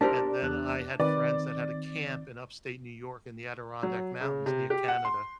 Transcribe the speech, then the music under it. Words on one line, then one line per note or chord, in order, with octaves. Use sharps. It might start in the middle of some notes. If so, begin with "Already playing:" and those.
and then I had friends that had a camp in Upstate New York in the Adirondack Mountains near Canada,
D4 G4 A#4 C5 A5
E2 B3 F#6
D#3 C4 B4 D5
F#3
C#3
C3
G4
F#5
C6